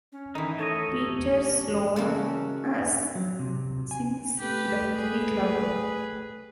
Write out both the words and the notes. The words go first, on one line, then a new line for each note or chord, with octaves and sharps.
Peter Sloane has since left the club.
C#4
D#3 E3 D#4 E4
A3 A4 C#5 D#5
G4
C#3 E3 F#3 A#3 C#4 F#4 A4
F#3
C3
G#5
A3 G4 B4
G#4 B4